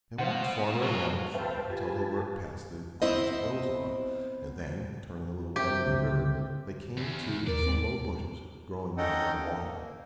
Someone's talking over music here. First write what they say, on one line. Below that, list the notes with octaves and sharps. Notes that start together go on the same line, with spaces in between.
They walked farther along the shore until they were past the grounds of Roselawn, and then, turning a little bend in the river, they came to some low bushes growing down by the water.
B2 F4 C5 F#5
F#3 F4
B4 C5 E5 F5 G5 A5
F4 G4 B4 G#5 A5
B3 C4 E4 C5 D#5
C3 G4
C#2 D3
E2
D#2 A#4 D5
C4
C#4 D#4 A4 D#5 F#5 G5
A#3